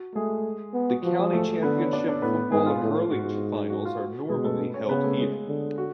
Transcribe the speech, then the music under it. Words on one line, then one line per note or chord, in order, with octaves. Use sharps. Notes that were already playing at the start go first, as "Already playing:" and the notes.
The County Championship football and hurling finals are normally held here.
Already playing: F#4
G#3 A3 G#4
B3
F#4
F3 F#4
G#3 G#4
A3 A4
D3 B3 B4
C#4 C#5
D4 D5
D4 D5
A2 B3 B4
G#2 G#3 G#4
F4
A2
G#2 F#4
F#4
F4
F#4
B2 G#3 G#4
A3 A4
B4
C#4 C#5
C#3 B3 B4
A3 A4
G#3 G#4
D3
F#4